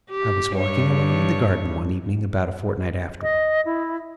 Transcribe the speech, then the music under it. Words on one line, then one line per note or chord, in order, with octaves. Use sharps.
I was walking alone in the garden, one evening, about a fortnight afterwards.
G4
G2 C#5
D#5
E4